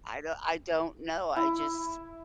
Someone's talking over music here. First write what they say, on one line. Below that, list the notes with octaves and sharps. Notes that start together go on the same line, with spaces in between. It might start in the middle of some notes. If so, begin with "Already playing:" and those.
I do I don't know, I just
E4